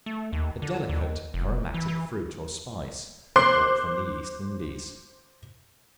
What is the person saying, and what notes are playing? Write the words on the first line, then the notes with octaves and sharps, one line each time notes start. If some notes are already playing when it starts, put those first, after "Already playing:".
A delicate aromatic fruit or spice, brought from the East Indies.
A3
D#2
D3
D#2
F1
E3
E3
C5 C6 D6 F#6 C7